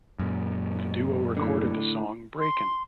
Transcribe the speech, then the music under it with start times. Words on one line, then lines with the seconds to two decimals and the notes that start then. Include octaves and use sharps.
The duo recorded the song Breakin'...
0.19 F#2 A#2
1.37 A2 D3
2.39 C6